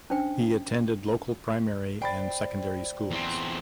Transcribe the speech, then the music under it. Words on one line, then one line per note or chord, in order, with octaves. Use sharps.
He attended local primary and secondary schools.
C#4 D4 C5 G5
C5 D5 G5 B5 A6
E2 C4